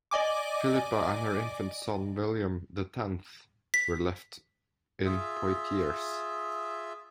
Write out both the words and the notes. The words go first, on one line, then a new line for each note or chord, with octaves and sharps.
Philippa and her infant son William the Tenth were left in Poitiers.
D5 D#5 G#5 D6
B6
F4 G#4 E5 E6